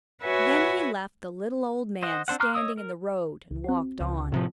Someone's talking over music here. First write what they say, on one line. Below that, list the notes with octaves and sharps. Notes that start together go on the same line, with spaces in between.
Then he left the little old man standing in the road, and walked on.
F#4 B4 C#5 E5 F#5 G#5
C5 D#5 F#5
C4 D4 C5 F#5
A#5 C6 D6 F6 F#6
C#5 D#5 D#6 E6
A#4
C#2
C4 F#4
C#2
A2 C3 F3